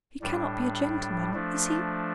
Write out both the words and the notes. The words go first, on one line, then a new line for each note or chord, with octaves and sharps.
He cannot be a gentleman--is he?'
A2 G3 D4
F3 A3 D4